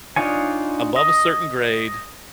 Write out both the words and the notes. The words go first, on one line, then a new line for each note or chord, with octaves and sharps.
above a certain grade
D4 D#4 F4 C#5 G#5
D#5